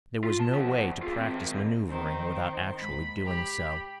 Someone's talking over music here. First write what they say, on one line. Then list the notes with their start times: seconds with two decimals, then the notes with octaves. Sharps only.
There was no way to practice maneuvering without actually doing so.
0.24 F4
0.39 A5
0.54 F3 B3
1.02 F4 G#4
1.18 D#3 C4
1.88 D#3 C4
2.79 G#2 B5
3.25 G4 B5